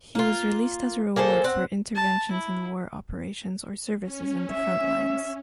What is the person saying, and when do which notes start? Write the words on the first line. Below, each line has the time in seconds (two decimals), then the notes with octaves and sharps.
He was released as a reward for interventions in war operations or services in the front lines.
0.15 A#3 F4
1.16 A#3 G#4 A4 C5
1.44 C4 F#5
1.96 A5
2.32 E4
4.03 C#4
4.50 E5